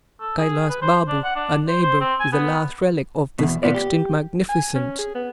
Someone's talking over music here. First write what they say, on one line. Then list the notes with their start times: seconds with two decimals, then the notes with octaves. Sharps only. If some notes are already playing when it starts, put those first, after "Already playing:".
Kailas Babu, our neighbour, is the last relic of this extinct magnificence.
0.20 A4
0.38 G#4
0.69 B4
0.82 C5
1.08 D4
1.24 F#5
1.36 D4
1.68 C5
1.82 C5
2.01 C4
2.20 G#5
2.32 B3
3.39 E2 B2
3.63 D2 G2 A#2 B3 F4 D5
3.74 G4
4.49 G#5
4.75 C#4
4.98 G#4
5.15 B3